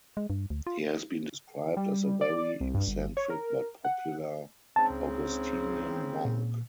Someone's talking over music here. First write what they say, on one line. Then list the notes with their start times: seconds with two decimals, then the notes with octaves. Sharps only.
He has been described as "a very eccentric but popular Augustinian monk".
0.17 G#3
0.30 G2
0.50 D2
0.67 F4
1.77 G3
2.21 D5
2.60 C2
2.74 G2
2.87 G1
3.17 C#5
3.30 A#4
3.85 F#5
4.76 G#2 C#3 C4 A5
4.90 C#2
6.25 A#2